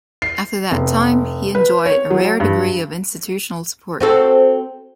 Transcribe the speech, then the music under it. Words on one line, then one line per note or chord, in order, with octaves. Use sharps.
After that time, he enjoyed a rare degree of institutional support.
C7
F1
B4
C#5
F#3
G2
C4 F#4 A4